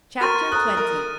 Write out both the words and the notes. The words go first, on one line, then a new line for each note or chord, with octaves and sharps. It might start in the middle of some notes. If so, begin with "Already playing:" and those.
Chapter XX.
F#4 A#4 A#5 C#6 F6 A6 D#7
A4 C5 A#5 D#6 F#6
A#4